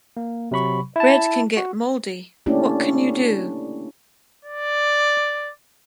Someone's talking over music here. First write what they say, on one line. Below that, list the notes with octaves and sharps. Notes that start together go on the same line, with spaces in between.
Bread can get moldy. What can you do?
A#3
C3 F#3 B5 C#6
E4 A5
F#4
A3 A#3 C#4 D4 E4 G4
D5